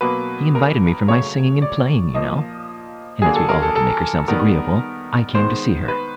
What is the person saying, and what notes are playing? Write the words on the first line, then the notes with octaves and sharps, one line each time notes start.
She invited me for my singing and playing, you know: and as we all have to make ourselves agreeable, I came to see her.
B2 F#3 A#3 B4
A#4
C#3 F#3 A3 C#5
D5
A#2 F3 A#3 D#5
D3 F#3 A#3 G#4
A4
A#4
A4
A4
D#3 G3 B3 A#4
D#3 G#3 B3 C5
B4